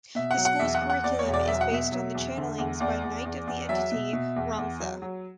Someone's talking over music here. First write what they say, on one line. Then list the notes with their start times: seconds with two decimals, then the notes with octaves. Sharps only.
The school's curriculum is based on the channelings by Knight of the entity Ramtha.
0.15 B2 E5
0.31 F#5
0.37 F#3
0.45 F#5
0.59 E2 E5
0.75 F#5
0.81 E2
0.90 F#5
1.03 E2 D5
1.19 C#5
1.26 E1
1.34 D5
1.48 F#3 E5
1.61 F#5
1.71 B2 E5
1.92 F#3
2.14 E2
2.37 D3
2.58 E2
2.80 E2 D5
3.04 E2
3.25 E2
3.47 E2
3.69 F#3 E5
3.92 B2
4.13 B2
4.36 E2
4.58 E2
4.80 F#3
5.02 F#3